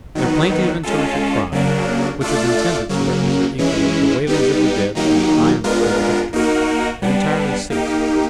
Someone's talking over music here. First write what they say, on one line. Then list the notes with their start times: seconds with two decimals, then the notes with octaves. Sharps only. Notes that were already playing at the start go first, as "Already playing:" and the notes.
Their plaintive and terrific cry, which was intended to represent equally the wailings of the dead and the triumph to the victors, had entirely ceased.
0.15 D#3 F#3 B3 D#4
0.83 G#3 C#4 F4 A4
1.52 C#3 F#3 A#3 D4
2.21 A3 D4 F4 A4 D5
2.89 C#3 F#3 A#3
3.58 E3 G#3 C#4 E4
4.27 G3 B3 D#4 G4
4.95 D#3 F#3 A#3 D#4 G4
5.64 G#3 B3 D4 F4 A#4
6.33 A#3 D#4 F#4 A#4
7.02 G3 B3 D4
7.70 A#3 D#4 G4